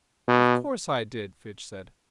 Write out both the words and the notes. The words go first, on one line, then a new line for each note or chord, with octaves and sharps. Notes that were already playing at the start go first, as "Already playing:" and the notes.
"Of course, I did," Fitch said.
B2